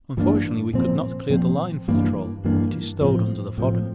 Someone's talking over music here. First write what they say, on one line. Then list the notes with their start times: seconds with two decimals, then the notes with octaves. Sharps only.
Unfortunately we could not clear the line for the trawl--it is stowed under the fodder.
0.17 G2 E3 A#3 D4
0.73 A#2 F3 C4
1.30 A#2 F3 C4
1.88 G2 E3 A#3 D4
2.44 G2 E3 A#3 D4
3.01 A2 F3 C4
3.58 A2 F3 C4